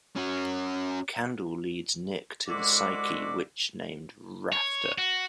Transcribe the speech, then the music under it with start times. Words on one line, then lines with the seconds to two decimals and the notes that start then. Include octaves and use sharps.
Candle leads Nick to the Psyche witch named Rafter.
0.16 C#4 F#4
2.48 C2 D3 G#3 E4 F#4 D6
4.53 C#5
4.98 F#4